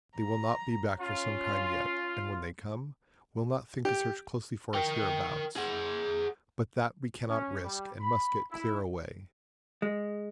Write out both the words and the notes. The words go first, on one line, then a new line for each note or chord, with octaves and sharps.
They will not be back for some time yet, and, when they come, will not think to search closely for us hereabouts; but that we cannot risk, and must get clear away.
A#5
C#4 F4
G4
A#4 G5
G#4 F#5
C#4
G3
B5
E4
G#3